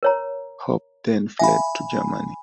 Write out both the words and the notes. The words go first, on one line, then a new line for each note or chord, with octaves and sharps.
Hopp then fled to Germany.
A#4 C#5 A#5
E5 F5 G#5 B5